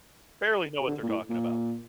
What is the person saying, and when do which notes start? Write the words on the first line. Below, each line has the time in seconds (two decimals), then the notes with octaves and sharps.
Barely know what they're talking about,
0.81 C3
0.88 D3
1.03 A#2
1.08 A2
1.30 A#2